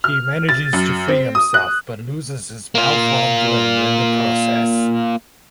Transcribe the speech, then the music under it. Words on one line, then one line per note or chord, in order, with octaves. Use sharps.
He manages to free himself but loses his malformed limb in the process.
F6
A6
F#2
C4
D#6
F#6
A#3 F4